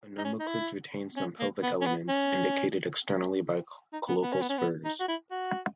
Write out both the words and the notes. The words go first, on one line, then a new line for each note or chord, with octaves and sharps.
Anomochilids retain some pelvic elements, indicated externally by cloacal spurs.
D#4
C#4
D#4
E4
C#4
A#3
B3
C#4
B3
C#4
D#4
B3
B3
C#4
B3
C#4
B3
D#4
F#4
E4
F#4